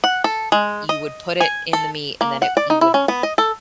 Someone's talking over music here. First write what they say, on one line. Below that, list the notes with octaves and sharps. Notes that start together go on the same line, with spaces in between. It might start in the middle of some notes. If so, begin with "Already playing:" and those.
you would put it in the meat, and then it you would
F#5
A4
G#3
D#5
G#5
A4
A#3
F#5
D5
D#4
E4
C#4
B3
D#5
A4